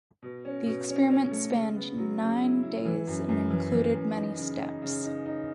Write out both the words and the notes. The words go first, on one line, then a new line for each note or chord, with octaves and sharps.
The experiment spanned nine days, and included many steps.
B2
C#4
B2
C#4
C#4
A3
C#3
B3
F#3
C#3
E4
E4
E3
F#2
F#2
E3
E3
F#2
D#4
C#3
D#4
C#3
D#4
D#4